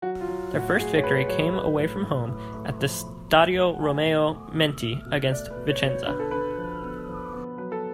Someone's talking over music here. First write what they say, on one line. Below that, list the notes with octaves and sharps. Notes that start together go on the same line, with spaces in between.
Their first victory came away from home at the Stadio Romeo Menti against Vicenza.
F#3 F#4
F4
F#3
A2
F#4
A2 G#4
C#5
A2 B4
F#3 C#5
A3 B4
A2
A2
A2
A3
F3
B2
A3
A3
F#5
A3 G#5
B2
A3
B2
A3
B2
A3 D5
B4
B2
C#5
B2
C#5
D3 B4
A4
D3 B4
F3
B3
F3
B3
F#3 B4
A4